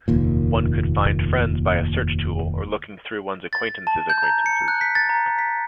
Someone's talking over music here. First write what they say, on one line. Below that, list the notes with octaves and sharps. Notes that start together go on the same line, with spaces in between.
One could find friends by a search tool or looking through one's acquaintances' acquaintances.
F1 D#2 A#2
A6
A5
G6
A#5
C#7
F#6
B6
A6
A#5
B6